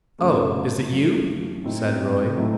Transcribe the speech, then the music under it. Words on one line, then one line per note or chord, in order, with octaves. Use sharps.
"Oh, is it you?" said Roy.
F#2 C#3 F#3 A3 C#4
F#2 C#3 F#3 A3 C#4
A2 F#3 A3 C4 D#4
A2 F#3 A3 C4 D#4